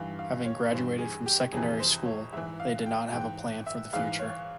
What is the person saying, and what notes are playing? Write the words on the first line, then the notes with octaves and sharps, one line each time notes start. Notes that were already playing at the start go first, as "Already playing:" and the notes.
Having graduated from secondary school, they did not have a plan for the future.
Already playing: G2 E3 F5
F5
C#5
G2 E3 C5
G#4
G4
F2 C3 E3 G#4
C5
C#5
G#2 E3 E5
F5
G5
G#2 E3 G5
E5
G#2 E3 F5
C#5